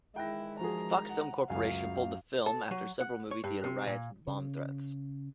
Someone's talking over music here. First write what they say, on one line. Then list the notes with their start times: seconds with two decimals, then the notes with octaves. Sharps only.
Fox Film Corporation pulled the film after several movie-theater riots and bomb threats.
0.16 D#3 E3 G#3 E4 G5 F#6 A#6
0.60 F3 F#4 G#4 A#5
1.09 F#5
1.50 C#2 F#2 F5 G#5
2.46 A4
2.71 F#3
3.01 F#5
3.31 C#5
3.44 G2
3.64 C3
3.87 A#2
4.27 C#3